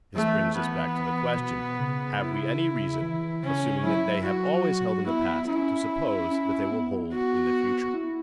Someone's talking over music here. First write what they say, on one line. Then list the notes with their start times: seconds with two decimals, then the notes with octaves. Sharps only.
This brings us back to the question: Have we any reason, assuming that they have always held in the past, to suppose that they will hold in the future?
0.15 E3 A3
0.56 E3 B3
1.38 B2
1.79 C#3
2.20 E4
3.02 E3
3.43 C#3 C#4
3.84 F#3 E4
4.25 F#4
5.07 B3 E4
5.48 C#4 E4
6.30 C#4
6.71 B3
7.13 F#4
7.94 E4